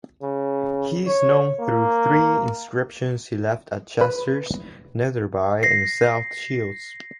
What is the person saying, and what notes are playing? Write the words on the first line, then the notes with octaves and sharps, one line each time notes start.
He is known through three inscriptions he left at Chesters, Netherby and South Shields.
C#3
C#5
A#3
B4
A#6 C7